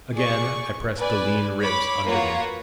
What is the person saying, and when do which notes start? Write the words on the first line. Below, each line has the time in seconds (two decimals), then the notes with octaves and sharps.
Again I pressed the lean ribs under me.
0.14 G#4 D5 C#6
0.97 B4 D5 G#5
1.60 C#5 B5 D6
2.05 A#3 F4 F#4 B4 C#5 A#5